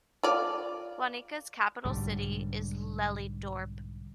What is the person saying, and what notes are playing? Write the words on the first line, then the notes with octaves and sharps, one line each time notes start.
Wanica's capital city is Lelydorp.
F4 D5
B1 G#2 D3 G3